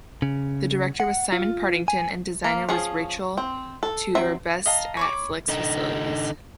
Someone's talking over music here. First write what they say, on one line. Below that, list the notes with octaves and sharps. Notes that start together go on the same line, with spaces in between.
The director was Simon Partington and designer was Rachel Tudor Best at Flix Facilities.
C#3
F#5
F4
G#5
A#3
F3 C#4 G#4
C4
A4
F#3 C4 E5
D#5 F5 A5 A#5
C#5 B5 D6
D3 D#4